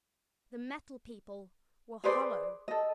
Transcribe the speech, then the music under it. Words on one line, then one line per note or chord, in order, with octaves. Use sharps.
The Metal People were hollow!
G#4 B4 C5 D5
A4 D#5